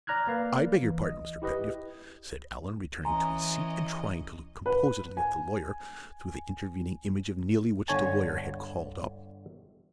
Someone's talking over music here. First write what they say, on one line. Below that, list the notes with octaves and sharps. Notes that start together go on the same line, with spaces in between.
"I beg your pardon, Mr. Pedgift," said Allan, returning to his seat, and trying to look composedly at the lawyer through the intervening image of Neelie which the lawyer had called up.
D5 A#5 F6 F#6 G#6
A#3 B4 D5 F5
E3
D#5
E4 G4 B4 D#5
E3 C#4 D#5 G#5 A#5 C6
B4
G#5
G1 D3 C#5 G#5 A5